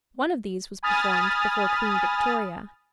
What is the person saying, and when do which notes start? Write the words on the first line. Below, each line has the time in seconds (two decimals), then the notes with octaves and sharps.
One of these was performed before Queen Victoria.
0.83 G#5 B5 D#6 F6 A6